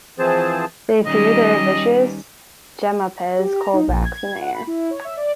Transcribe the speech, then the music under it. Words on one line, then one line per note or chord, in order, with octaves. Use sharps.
They threw their vicious Jemmapes colbacks in the air.
E3 F3 C4 G#4 C5 A5
D#3 G3 C#4 D#5
G4
A#5
D#4
A#1
G#6
F#5
B5
E4
C#5
E5
D5